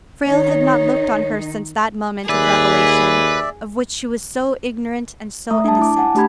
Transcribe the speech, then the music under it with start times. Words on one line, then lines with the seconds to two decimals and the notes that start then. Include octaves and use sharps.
Frale had not looked on her since that moment of revelation, of which she was so ignorant and so innocent.
0.25 D#3 D#4 C#5
2.29 D#2 G#4 B4 D5 E5
5.51 A3 E5 A#5 D#6
5.64 D4 A5
5.79 E4 D6
5.96 F#5 G#5 A5
6.15 A3 D4 G4 A#5 B5 G#6